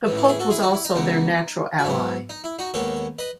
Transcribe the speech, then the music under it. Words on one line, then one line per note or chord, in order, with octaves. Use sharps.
The Pope was also their natural ally.
A1 A2 E3
E4
A4
E4 G#4
F#4 A4
E4 G#4
D#4 F#4
E4
D#4
C#2 C#3 E3 B3 D#4
F#4
G#2 F#3 B3 E4
D#4
E4
D#4 F#4
D#2 D#3 G#3 B3 A4 C#5
B4 D#5